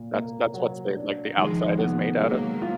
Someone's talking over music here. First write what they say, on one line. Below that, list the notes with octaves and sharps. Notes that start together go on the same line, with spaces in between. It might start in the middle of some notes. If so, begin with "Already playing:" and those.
That's that's what's they like, the outside is made out of?
Already playing: A#2
A#3
F#3
D4
D#3 F3 G#3
B3
F#3 G#3 A#3
F4